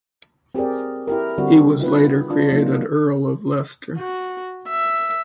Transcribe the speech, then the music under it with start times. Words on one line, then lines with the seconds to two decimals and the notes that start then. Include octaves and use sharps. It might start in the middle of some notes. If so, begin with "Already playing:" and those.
He was later created Earl of Leicester.
0.55 C4 G4 G#4 A#4 D5
1.08 E4 G4 A#4
1.38 D3 G3 C4 F#4
1.80 D#4 F4 B4
2.30 D4 F4
2.52 F#3 A#3 D#4 F4
3.98 F#4
4.69 E5